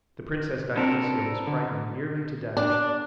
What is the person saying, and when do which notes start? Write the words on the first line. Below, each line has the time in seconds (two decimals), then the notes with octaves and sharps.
The princess Dionysia was frightened nearly to death.
0.76 B3 C4 D4 A4 A#4
1.47 D3
2.57 D4